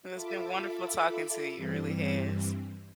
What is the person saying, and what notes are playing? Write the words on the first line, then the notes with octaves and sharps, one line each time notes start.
Well it's been wonderful talking to you, it really has.
F4 A4 E5 B5 D6
G2 E3 G3 C4